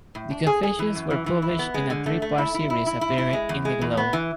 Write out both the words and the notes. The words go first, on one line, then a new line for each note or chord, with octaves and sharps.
The confessions were published in a three-part series appearing in the "Globe".
A2
D4
G#4
G#4
E3
F#2
E3
E3
E4
B3
G#3
D3
A3
A3
E4
E4
E4
E4
E4
E4
G#3
E2
G#3
E2
B3
E3